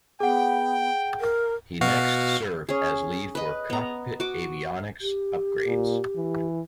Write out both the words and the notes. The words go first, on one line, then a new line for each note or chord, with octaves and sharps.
He next served as lead for cockpit avionics upgrades.
B3 G#4 F#5 G5
A#4
B2 F#4 F5
C#4 G#4
B4 D#5
B3 A#5
F#4 D6
G4
A#2
E3